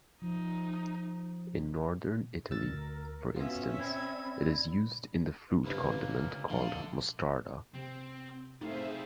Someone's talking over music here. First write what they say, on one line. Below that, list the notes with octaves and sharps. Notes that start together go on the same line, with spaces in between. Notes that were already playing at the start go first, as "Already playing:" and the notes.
In northern Italy, for instance, it is used in the fruit condiment called "mostarda".
F3 D#4
D2 A#4 E6 A6
B3 C#4 F4 F#4 E5 F5
C4 D5 B5 G#6
G1 C#2 C3 A#3 B4
A#1 D3 F5
C3 C4
C3 G3 A3 D#4 G#4 C5 E5 F5